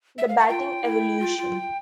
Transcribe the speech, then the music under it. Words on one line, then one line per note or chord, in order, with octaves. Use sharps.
The batting evolution.
E5
F5
F#5
F4 G5
E4
F4
F4